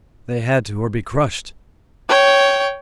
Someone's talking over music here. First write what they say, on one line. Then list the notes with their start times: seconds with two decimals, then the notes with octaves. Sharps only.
They had to, or be crushed!
2.09 C#5 G5